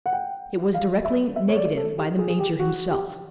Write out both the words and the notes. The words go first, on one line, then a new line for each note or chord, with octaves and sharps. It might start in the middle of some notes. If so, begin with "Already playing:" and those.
It was directly negatived by the major himself.
F#5
G5
F5
E5
E5
C#5
D5
A4
G4
G#4
G#4
G4
F#4
G4